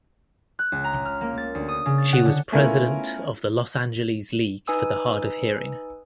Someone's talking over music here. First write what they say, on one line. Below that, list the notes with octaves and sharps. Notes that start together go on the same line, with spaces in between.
She was President of the Los Angeles League for the Hard of Hearing.
F#6
C#2
A#5
F6
A#3
A6
D2
D#6
C#3
A6
F#5
D3
A3 B3 C#4 E4 F4 A#4
D#4 B4 G#5 D#6 E6